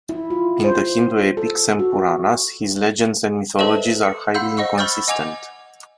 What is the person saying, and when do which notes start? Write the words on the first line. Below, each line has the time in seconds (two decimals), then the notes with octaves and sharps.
In the Hindu Epics and Puranas, his legends and mythologies are highly inconsistent.
0.09 E4
0.30 F4
0.64 C5
1.37 A4
1.79 F#4
3.59 A4 B4 C5 D#5 E5 A5
4.03 C#7
4.34 F5 F#5 B5 C6 E6 G6
4.57 C5 D#5 F#5 C#6 E6
4.78 B5 C#6 E6 F6 G6 A6
5.08 D#5 F#5 G#5 D6 G#6 F7